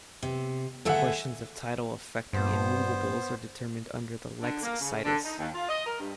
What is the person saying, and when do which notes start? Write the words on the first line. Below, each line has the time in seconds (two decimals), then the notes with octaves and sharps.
Questions of title affecting immovables are determined under the "lex situs".
0.23 C3
0.85 D3 A3 G#4 A4 E5 F#5
2.33 G2 B3 C5
4.41 D3
4.62 A#3
4.79 C#3
5.03 D3
5.23 D#4
5.38 D#2
5.52 F4
5.67 D#5
5.85 A#4
5.99 G2